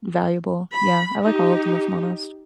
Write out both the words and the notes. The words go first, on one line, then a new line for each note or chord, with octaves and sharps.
valuable. Yeah, I like all of them, if I'm honest.
B5
D#4 G4